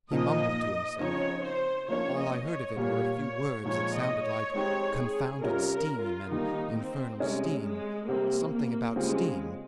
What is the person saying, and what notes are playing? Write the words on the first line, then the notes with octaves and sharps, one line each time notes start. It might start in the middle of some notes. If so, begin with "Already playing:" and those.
He mumbled to himself; all I heard of it were a few words that sounded like "confounded steam!" and "infernal steam!"--something about steam.
A#2 F3 A#3 D#4 D#5
C#3 F3 C4 D#4 C#5
C5
F3 A#3 C#4 C#5
D#5
C#5
A#2 G3 A#3 C#5
C#5
A#2 F3 G#3 D#4 C#5
D#5
C#5
G#3 C4 D#4 G4 C#5
G#4
C3 G3 C#4 F4 A#4
A#4
F4
D#3 G3 A#3 D#4
C4
C3 G3 G#3 C#4 G#4
G#3
C3 G3 A#3 C4 G4
A#3
C#3 G3 G#3 C4 F4 G#4